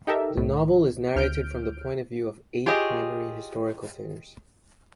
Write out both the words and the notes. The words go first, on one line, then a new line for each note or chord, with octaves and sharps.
The novel is narrated from the point of view of eight primary historical figures.
D#4 G4 A4 A#4 E5
C2 A2
D2 F6 G6 D7
F4 G4 G#4 C#5 D#5